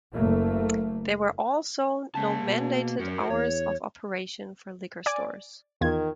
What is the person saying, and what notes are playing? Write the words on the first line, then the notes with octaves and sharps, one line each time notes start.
There were also no mandated hours of operation for liquor stores.
F#1 A3 A#3
C#3 A#3 A5
B2
F#2 F#4 A#4
E2 C#5
D5 G#5 D6
E2 D#3 F4 G#6